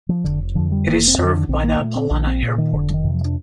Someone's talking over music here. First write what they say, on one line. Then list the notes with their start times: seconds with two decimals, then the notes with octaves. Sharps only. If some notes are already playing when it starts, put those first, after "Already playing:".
It is served by the Palana Airport.
0.09 F3
0.24 F1 D3
0.55 F2 D3 F3
0.72 G3
0.87 F1 A#3
1.08 C4
1.18 F2 D3
1.28 D4
1.48 A#1 C4
1.64 A#3
1.80 A#2 A3
1.96 C4
2.11 A#1 D4
2.27 C4
2.42 A#2
2.58 D#3
2.73 F1 D3
2.90 F3
2.94 D#3
3.04 F2 C3
3.14 F3
3.25 D4